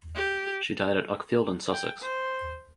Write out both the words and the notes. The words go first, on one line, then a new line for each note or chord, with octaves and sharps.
She died at Uckfield in Sussex.
G4
G5
C5